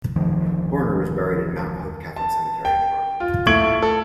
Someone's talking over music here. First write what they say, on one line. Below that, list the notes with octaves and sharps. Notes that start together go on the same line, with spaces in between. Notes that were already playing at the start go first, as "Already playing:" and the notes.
Horner was buried in Mount Hope Catholic Cemetery in Toronto.
F1 D2 D#3 F3
A5
G5
F4
A3 E4 C#6 G#6 D7 F#7
A4